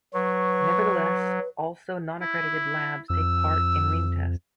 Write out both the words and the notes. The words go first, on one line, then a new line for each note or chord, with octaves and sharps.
Nevertheless, also non accredited labs take part in ringtests.
F#3 B4 C#6
E4
F2 E6